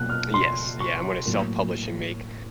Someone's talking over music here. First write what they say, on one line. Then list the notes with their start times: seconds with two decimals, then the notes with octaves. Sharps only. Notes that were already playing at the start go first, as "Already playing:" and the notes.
Yes yeah, I'm gonna self-publish and make
Already playing: B2 F#3 A#3 F#6
0.10 F6
0.34 C6
0.80 C#6
1.26 A2 F#3 A#3